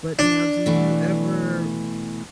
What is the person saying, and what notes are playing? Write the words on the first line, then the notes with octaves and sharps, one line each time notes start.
But now, do you ever
D4
B2 E3 A3